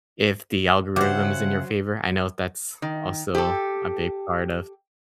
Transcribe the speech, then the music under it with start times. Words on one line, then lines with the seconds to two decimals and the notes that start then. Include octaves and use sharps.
if the algorithm is in your favor. I know that's also a big part of
0.96 C#3 F#3 C5 E5 F#5 G5 D6
2.82 D#3
3.35 G4 A4